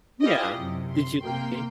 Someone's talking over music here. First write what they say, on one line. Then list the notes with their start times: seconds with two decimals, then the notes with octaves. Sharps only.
Yeah. Did you like the game?
0.21 E4 F4 G4 G#4 D5 D#5
0.56 F#2 C3
0.92 C6
1.23 C3 A#3 G5 C6